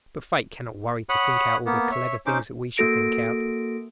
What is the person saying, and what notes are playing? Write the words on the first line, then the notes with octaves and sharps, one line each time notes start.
But Fate cannot worry to think out all the clever things that we should think out.
C#5 F#5 B5 D#6
A#3 B3
C#5 E5
C#4 D#4 C5 D6
A#3 F#4 A4 A#6 D7